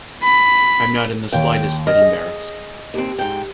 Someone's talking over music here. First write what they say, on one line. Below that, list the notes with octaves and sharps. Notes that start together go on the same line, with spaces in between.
I'm not in the slightest bit embarrassed.
B5
D#2 C#5 F5 G5
D#5 F6
G#4
D#2 C4 G4
G#2 G5